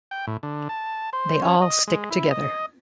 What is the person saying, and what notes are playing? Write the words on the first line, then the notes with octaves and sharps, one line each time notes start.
They all stick together.
G5
A2
D3
A5
C5
C#4
D#5
G#3
E4
D#5